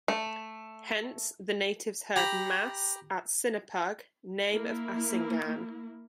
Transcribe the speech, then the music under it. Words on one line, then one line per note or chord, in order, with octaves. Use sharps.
Hence, the natives heard Mass at Sinapug, name of Asingan.
A3
G4 A#5 B5
A#3 E4